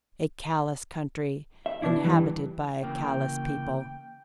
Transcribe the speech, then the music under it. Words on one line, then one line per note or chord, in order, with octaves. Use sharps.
A callous country inhabited by a callous people.
E5
B2 D4 E4
G2 E3
C#3 E3 A#3 G5